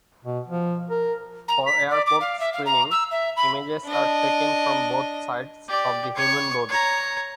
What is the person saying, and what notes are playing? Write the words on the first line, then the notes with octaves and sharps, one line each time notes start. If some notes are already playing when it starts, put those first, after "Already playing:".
For airport screening, images are taken from both sides of the human body.
B2
F3
A#4
A#5
B6
D5
D6
F5
E5
F5
A#5
E6
E5
B5
D4 D#5
G4 D5
C#5 C#6
C#5 A#5